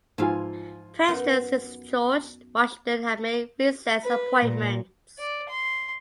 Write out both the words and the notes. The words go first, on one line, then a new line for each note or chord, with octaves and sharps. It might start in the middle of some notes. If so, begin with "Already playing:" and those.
Presidents since George Washington have made recess appointments.
G#2 F3 E4 F4 F5 G#5
F#2 B3 D#4
B4
A#2
D5
C6